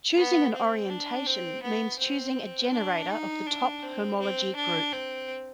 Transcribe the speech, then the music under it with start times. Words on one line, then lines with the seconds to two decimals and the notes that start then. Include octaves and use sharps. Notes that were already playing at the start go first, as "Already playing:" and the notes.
Choosing an orientation means choosing a generator of the top homology group.
0.16 B3
0.53 C4
0.90 D4
1.26 C4
1.63 B3
1.99 C4
2.73 D4
3.10 D#4
3.47 D4
3.82 C4
4.20 C4
4.56 D4
4.92 C4